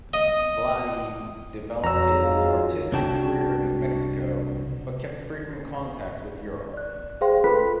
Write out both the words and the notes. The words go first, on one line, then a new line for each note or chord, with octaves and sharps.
Vlady developed his artistic career in Mexico but kept frequent contact with Europe.
D#5
F2 F#3 C#5 A#5 E6
G#2 G#3 F4
C2 C3 D4 F#4 G5 A5
D5 F#6
G#4 C5 D5 F5 G5 C6
F4 A4 B4 B5 F#6 B6